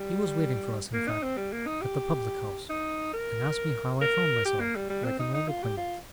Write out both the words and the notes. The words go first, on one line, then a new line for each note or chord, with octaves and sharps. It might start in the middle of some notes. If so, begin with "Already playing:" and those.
He was waiting for us, in fact, at the public-house; and asked me how I found myself, like an old acquaintance.
Already playing: G3
A#3
D#4
C4
G3
A#3
D#4
G4
D#4
A#4
A#4
G4
A#3
G3
G3
C4
D#4
D#4
F4
G4
F4